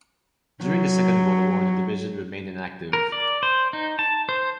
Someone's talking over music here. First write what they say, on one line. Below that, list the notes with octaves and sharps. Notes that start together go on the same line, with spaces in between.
During the Second World War the division remained inactive.
F#3
A#4
D5
C5
D#4
A5
C5